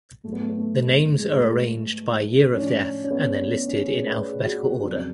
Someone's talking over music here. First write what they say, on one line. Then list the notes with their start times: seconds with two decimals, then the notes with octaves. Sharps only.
The names are arranged by year of death and then listed in alphabetical order.
0.23 G#2 F#3 A3
0.33 B3
0.41 A3
0.49 B3
0.58 A3
0.81 A3
1.00 A3
1.19 G#3
1.38 A3
2.53 A2 F3 C#4
2.61 D4
2.70 C#4
3.04 C#4
3.11 B3
3.40 B3
3.68 C#4
3.88 G#4
4.07 B4
4.26 G#4
4.40 G#4
4.45 F#4
4.64 F#4
4.83 F2 C#3 F#3 D4